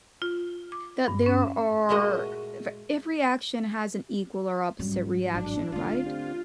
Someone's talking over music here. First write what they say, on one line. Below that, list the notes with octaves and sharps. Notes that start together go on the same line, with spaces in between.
that there are v every action has an equal or opposite reaction, right?
F4
D6
G2
C#4
A#2 G#3 A3 F#4 D#5
G#2 F#3 G3 C#4
A1 D4
D3 A3 D4 F4
C4 D4 G4